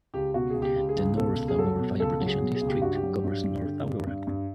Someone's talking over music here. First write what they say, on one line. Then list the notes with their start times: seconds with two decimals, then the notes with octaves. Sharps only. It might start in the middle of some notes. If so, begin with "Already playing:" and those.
The North Aurora Fire Protection District covers North Aurora.
0.14 C#2 G4
0.34 B2 F#4
0.50 C#2 G#4
0.62 G4
0.76 C#2
0.89 G#4
0.96 C#2
1.17 B2 A4
1.37 C#2
1.48 G#4
1.58 F#3 A4
1.79 B2
2.00 C#2 A4
2.20 F#3
2.27 G#4
2.41 B2
2.55 G#4
2.61 C#2
2.69 G4
2.82 G2 F#4
2.95 G4
3.03 F#3
3.24 G2
3.44 G2
3.65 D3
3.86 G2
4.07 G2
4.27 G2